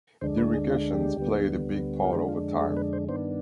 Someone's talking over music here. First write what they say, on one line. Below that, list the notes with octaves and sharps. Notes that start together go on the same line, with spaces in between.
The irrigations played a big part over time.
D2 D3 G#3 D4 C5
B4
G#4
F4
G4
D2 D3 G3 B3
F4
F2 D3 G#3 D4 G4
F4
G#4
B4
C5
G2 D#3 B3 D4 C5